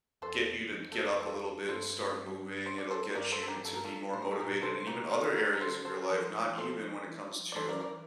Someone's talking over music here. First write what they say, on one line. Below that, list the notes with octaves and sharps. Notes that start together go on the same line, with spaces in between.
get you to get up a little bit and start moving, it'll get you to be more motivated, and even other areas of your life, not even when it comes to
E2 A4 C5
F2
A4
A#4
A4 C5
G2 A4 C5
C5
D5
A4 C5
G2 A#4 D5
A4 C5
A4
G4 A#4
A4
A#4
F4 A4
A2 C5
A#4
A4
A#2 G4 A#4
C3 A4 C5
C5
G4 A#4
D3 F4 A4
A#4 D5
A#4
A4 C5
A4 C5
D5
F3 A4 C5
E3
F3 A4 C5
E3
F3
F3
D5
E3 A4 C5
A#4 D5
E3
A#4 D5
E3